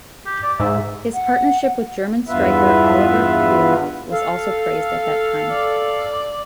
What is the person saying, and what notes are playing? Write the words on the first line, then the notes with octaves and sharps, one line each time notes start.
His partnership with German striker Oliver Bierhoff was also praised at that time.
G4
D5
G#2 E5
F#5
E2 G2 B3 F4 B4 E5
A4 F5
D5